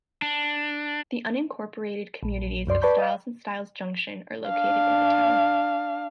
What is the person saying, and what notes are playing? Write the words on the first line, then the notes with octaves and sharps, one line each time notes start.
The unincorporated communities of Stiles and Stiles Junction are located in the town.
D4
A#1
C2 F#2 D5 C6
B4 D5 A5 B5 C#6 G6
D#5 F5
D4 F5